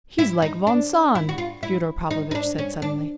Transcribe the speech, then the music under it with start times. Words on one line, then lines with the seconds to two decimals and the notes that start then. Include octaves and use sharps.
"He's like von Sohn," Fyodor Pavlovitch said suddenly.
0.19 E4
0.42 D#4
0.67 D4
1.15 E4
1.29 F#4
1.38 F4
1.63 E4
2.11 D#4
2.31 D#4
2.35 D4
2.58 C#4
2.82 D4